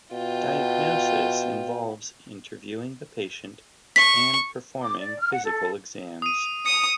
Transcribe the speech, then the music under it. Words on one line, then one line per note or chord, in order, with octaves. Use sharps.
Diagnosis involves interviewing the patient and performing physical exams.
B2 F4 G5
C#6 B6
D6
D5
F6
F#5
A4
D#6 D#7
D#6 C#7